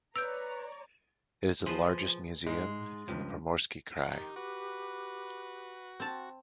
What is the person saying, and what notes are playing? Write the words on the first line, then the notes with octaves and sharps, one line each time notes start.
It is the largest museum in the Primorsky Krai.
B4 C#5 D5 A#5 E6 G6 D7 F7
F3 G#4 B4 C5
G#2 G#3
C#2 G2 F3
D#3 D#4 G4
F#4 B4
C4 A5